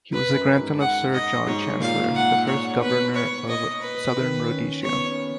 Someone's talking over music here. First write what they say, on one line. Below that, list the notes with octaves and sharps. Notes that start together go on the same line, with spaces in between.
He was the grandson of Sir John Chancellor, the first Governor of Southern Rhodesia.
B4
F#2
G#2
F#5
D#5
G#2 C#5
A#2 F5
F#5
C#5
B2 B4
C#5
D#5
B4
D#3
C#4
B3 C#5
C#4